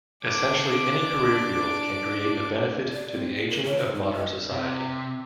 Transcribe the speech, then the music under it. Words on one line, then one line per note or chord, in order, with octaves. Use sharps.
Essentially any career field can create a benefit to the aging of modern society.
D4 D6
D5
C4
G#4
A#4
C#5
C5
D#4
D#5
C3